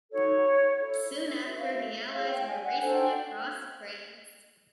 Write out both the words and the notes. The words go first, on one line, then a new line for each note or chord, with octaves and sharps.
Soon after, the Allies were racing across France.
D#4 F#4 A4 C#5
E4 A4 C#5
F#4 B4 E5
F5
E5
E4 G#4 C#5 F5
G5
G#5
F#5
D4 F#4 A4 C5 G#5
G5